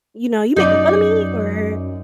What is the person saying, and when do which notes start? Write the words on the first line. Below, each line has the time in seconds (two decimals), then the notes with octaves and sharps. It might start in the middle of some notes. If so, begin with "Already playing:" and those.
you know, "You making fun of me?" or
0.56 F#2 D#4 D5